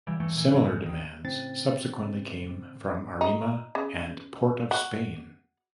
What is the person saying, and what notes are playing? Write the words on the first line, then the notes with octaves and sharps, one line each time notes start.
Similar demands subsequently came from Arima and Port of Spain.
C#2 E3 G3
E2 G2 E3 A3
A#2 E3
G#2 E3 F#3
G#2 C#3 G#3
A1 D#2 D#3
A2 C#3 C4 A6
D#4
C#3
F#4